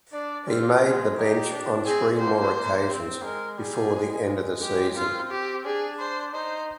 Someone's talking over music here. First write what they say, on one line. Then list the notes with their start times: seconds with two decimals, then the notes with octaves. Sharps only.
He made the bench on three more occasions before the end of the season.
0.13 D4 D5
0.48 C4 F4
0.82 G#3
1.16 D#4 G4
1.51 D4
1.85 C4 G#4
2.20 A#3 C5
2.54 A#3
2.89 C4
3.24 G#3 A#4
3.58 G3 G#4
3.93 G#3
4.27 G#3
4.62 G4
4.96 C4 F4
5.31 G4
5.65 D4 G#4
5.99 C5
6.34 D#4 C5